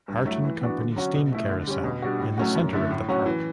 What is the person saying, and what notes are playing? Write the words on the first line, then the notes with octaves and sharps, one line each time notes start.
Harton Company steam carousel in the center of the park.
G2
F#3 A3 E4
E3
B3 D4 F#4
D3
F#3 C#4 F#4
B2
A3 E4
D3
G3 C#4
B2
G3 D4 F#4
A2
F#3 A3 C#4 F#4
F#2
D3 A3 E4
A2
F#3 C#4 F#4
E3